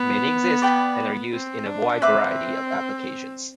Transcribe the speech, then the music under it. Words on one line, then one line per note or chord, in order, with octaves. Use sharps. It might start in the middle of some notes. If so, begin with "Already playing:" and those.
Many exist and are used in a wide variety of applications.
Already playing: B3
D5 G5 B5
C4
D4
C4 B4 E5 B5 D6